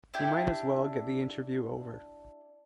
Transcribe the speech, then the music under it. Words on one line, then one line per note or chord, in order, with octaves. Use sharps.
He might as well get the interview over.
D4 E4 G4 G6